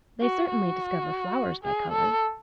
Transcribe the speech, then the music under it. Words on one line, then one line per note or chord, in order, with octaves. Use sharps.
They certainly discover flowers by colour.
F#4
F#4
G#4
A4